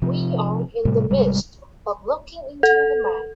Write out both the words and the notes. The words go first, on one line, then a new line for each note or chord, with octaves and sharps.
We are in the midst of looking into the matter.
C3 F3
A2 C3 G3 A3
G#1 C3 G3 G#3
A4